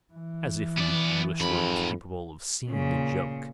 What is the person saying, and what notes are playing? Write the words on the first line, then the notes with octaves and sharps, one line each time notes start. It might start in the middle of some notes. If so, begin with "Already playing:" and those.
"As if we English were incapable of seeing a joke!"
E3
B3 D5
F2 G#2 B5
A#2 C#3